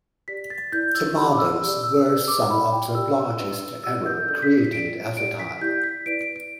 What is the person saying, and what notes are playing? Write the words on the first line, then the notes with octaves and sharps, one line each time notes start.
The models were some of the largest ever created at the time.
G4 D5 B6
A6
E4 B4 D5 G6
E6
G4 D5 B5
D6
E6
G4 D5 E6
E6
G4 B4 D5 E6
D6
E4 A4 D5 B5
G5
G4 D5 E6
D4 G4 B4 D5
G4 D5 E6
G6
D4 A4 D5 G6
B6
B6
G4 D5 D7
G4 D5 D7
B6
E4 G4 D5 G6
B6
E4 B4 D5 D7
D7
D7